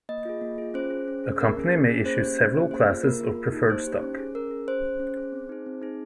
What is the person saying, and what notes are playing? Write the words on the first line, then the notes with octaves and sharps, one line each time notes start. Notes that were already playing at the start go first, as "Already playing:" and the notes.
A company may issue several classes of preferred stock.
A#3 D#5
F4 G#4
A#3
F4 G#4
C#4 C5
G#4
C#4
G#4
A#3 A#4
C#4 G#4
A#3
C#4 G#4
A#3 C5
C#4 G4
A#3
C#4 G4
A#3 C5
F4 G#4
A#3 A#4
F4 G#4
A#3
D#4 G4
A#3 C5
D#4 G4
C#4
G#4
C#4 A#4
G#4
C#4 C5
G#4
C#4
G#4
C4
D#4 G#4
C4
D#4 G#4